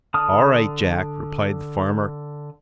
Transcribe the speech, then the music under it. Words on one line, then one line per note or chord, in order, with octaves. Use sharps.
"All right, Jack," replied the farmer.
D3 A5 D#6 F6